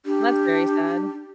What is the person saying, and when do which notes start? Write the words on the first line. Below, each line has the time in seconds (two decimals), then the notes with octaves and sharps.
That's very sad.
0.06 D4 G4